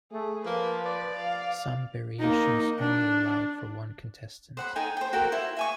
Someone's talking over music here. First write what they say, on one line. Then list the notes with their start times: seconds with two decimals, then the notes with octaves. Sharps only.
Some variations only allow for one contestant.
0.12 A3 G#4
0.46 F3 A#3 B4
0.85 D5
1.15 F5
2.20 A#3 D#4
2.79 D4
4.57 C5 F#5 B5
4.75 D#4 A4 G5 G#5
4.97 C5 G5
5.13 F#4 A4 A#4 G5
5.32 E4 C5
5.57 E5 G#5 C#6